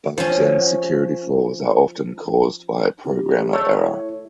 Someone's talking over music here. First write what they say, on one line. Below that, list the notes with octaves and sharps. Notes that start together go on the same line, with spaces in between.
Bugs and security flaws are often caused by programmer error.
F3 C#4
G4
A3 G#4 C#5
E4